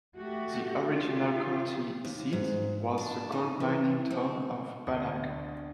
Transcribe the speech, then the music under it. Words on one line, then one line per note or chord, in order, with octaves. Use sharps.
The original county seat was the gold-mining town of Bannack.
A3 F#4 G4
F4 G4
D#2
G#2
D4
D#4
E3
C4
D2